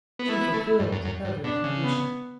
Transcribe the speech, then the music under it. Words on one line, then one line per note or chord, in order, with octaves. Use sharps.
"She fulfils every condition."
B3
A3 E4
B3
A3
G2
F#2
F#2
G2
B2 D4
C#3
B3